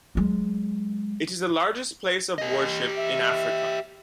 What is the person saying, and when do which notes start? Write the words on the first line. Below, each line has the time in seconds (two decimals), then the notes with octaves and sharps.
It is the largest place of worship in Africa.
0.15 F#3 G#3
2.38 G4 D#5
2.98 E5